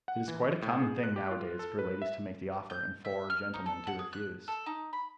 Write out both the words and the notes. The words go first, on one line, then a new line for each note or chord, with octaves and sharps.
It is quite a common thing nowadays for ladies to make the offer, and for gentlemen to refuse.
F#5
E3
A2
G#4
F#6
G4
F4
A4
B4
E5
G6
E5
F6
D#4
A4
F#5
G#4
F#6
A4
D#4
B5